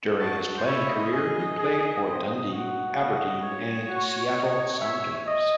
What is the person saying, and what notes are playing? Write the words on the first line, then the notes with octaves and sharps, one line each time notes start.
During his playing career he played for Dundee, Aberdeen and Seattle Sounders.
F#4 A5
C5
E4 C#5
D#5
G#4
G#4
C4
F#4
D#5
C#5
F#4
D#5
E5
D#5